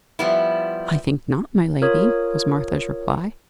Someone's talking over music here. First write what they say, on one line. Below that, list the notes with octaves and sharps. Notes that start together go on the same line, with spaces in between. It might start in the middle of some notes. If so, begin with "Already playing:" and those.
"I think not, my lady," was Martha's reply.
F3 G3 B3 E4
F4 A#4 C#5 D#6 G#6